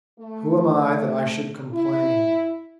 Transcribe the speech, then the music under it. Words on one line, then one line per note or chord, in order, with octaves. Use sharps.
Who am I that I should complain?
A3
E4